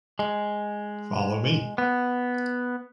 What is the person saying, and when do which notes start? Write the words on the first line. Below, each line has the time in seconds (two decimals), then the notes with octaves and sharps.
Follow me.
0.19 G#3
1.78 B3